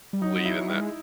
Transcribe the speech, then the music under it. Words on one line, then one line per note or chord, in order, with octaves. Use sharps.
lead in that
G3
F#3 D#4
E4
G3
G#3